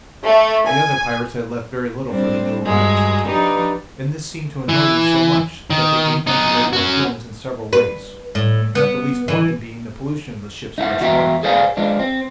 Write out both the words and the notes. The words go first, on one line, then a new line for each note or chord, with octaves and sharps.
The other pirates had left very little for the new arrivals to take, and this seemed to annoy them so much that they gave vent to their ill-feelings in several ways, not the least wanton being the pollution of the ship's fresh water.
A3
G#5
G3 C4 D4
G2 F#3 G#3
F3 D4 D#4 G4 B4
E3
D#3
B3 D#4
C#4 F#4
B4
A2
B3
E3
D#4 E4 A4 F#5
E2 F#4 E5 G5 A#5
G#4 A4 C5 D5 F5 G#5
F3 G#3 D4
C4